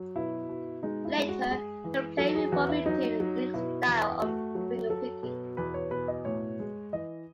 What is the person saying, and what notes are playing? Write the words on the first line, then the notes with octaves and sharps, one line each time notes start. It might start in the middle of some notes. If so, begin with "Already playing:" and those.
Later, her playing evolved into a unique style of fingerpicking.
Already playing: F#3
B2 E4
B2
G#3 D#4
E4
G#3
F#4
G#3 G#4
E3
F#3 A4
G#4
E2 F#4
E4
F#3 D#4
F#3
B2 E4
E2
A3 F#4
F#3
F#3 A4
B2
E2 B4
C#5
B2 B4
D#5
A2 C#5
G#3
E3 D#5